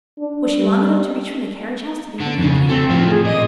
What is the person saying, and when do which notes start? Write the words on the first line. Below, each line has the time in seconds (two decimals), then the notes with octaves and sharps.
Was she long enough to reach from the carriage house to the Indian camp?
0.19 D4
0.58 G3
2.20 D3 D4
2.38 F2 C#3
2.69 A3 C4
2.89 A2 F3
3.11 G#4
3.25 A#2 D#5